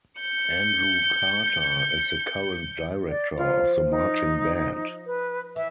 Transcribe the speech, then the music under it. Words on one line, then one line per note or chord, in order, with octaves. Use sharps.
Andrew Carter is the current director of the marching band.
G6 C#7
D5
F3 F4
D#4
B4
E3 E5